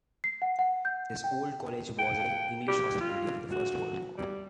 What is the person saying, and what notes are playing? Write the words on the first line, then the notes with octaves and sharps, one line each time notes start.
This old College was an English hospital during the First World War.
C7
F#5
F#5
G6
G5
G5
G4
F4
F#4
G3